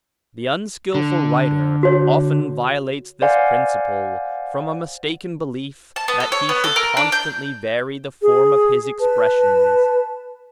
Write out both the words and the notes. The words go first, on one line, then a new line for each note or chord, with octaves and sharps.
The unskillful writer often violates this principle, from a mistaken belief that he should constantly vary the form of his expressions.
D3
F#4 C#5
C5 D5 F5 F#5 G#5
A5
B3
A4
C#5
B3
A4
A#4
D4
G6
G#4
B4 A5